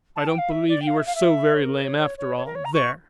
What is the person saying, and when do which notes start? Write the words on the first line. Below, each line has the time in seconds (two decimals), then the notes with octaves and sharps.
"I don't believe you were so very lame after all--there!"
0.16 A5
0.27 G5
0.38 F5
0.50 E5
0.69 D5
0.82 G5
0.87 F5
0.97 E5
1.06 F5
1.15 E5
1.54 C#5
1.62 A#4
1.81 C#5
1.99 C#5
2.18 C#5
2.37 C#5
2.46 A#4
2.55 C#5
2.65 A#5
2.74 C#6